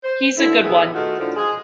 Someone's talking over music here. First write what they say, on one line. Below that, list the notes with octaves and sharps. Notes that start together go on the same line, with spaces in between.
He's a good one.
C5
B2 D3 D#3 E4
A2 D#3 A3 B3 G#4 E5
D#3 A3 D#4 F4 F#4
A2 D3 D#3 F3
G#3 G#4